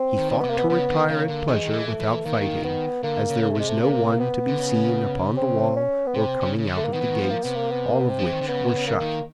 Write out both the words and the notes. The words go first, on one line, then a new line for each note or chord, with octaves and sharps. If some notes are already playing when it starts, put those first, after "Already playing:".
He thought to retire at pleasure without fighting, as there was no one to be seen upon the wall or coming out of the gates, all of which were shut.
Already playing: C4
D#3
C4
C3 B3
A#3
B3
C#3 B3
D3
C#3 A#3
D3
D#3 G#3
E3
D#3
E3
A3
E3
D#3 A#3
E3
D#3
B3
D3 A#3
C#3
A#3
A3
C3 G#3
A3
A#3
B3
D3
C#3
C4
C#4
B3
C3 C4
C#3
C#3
D3
A3
A#3
D#3 B3
E3
D#3
F3
A#3
C3 B3
A#3
B3
A#3
B3
C4
F3
E3
D#3
D3
C#3 B3
C3
C#3
A#3
D#3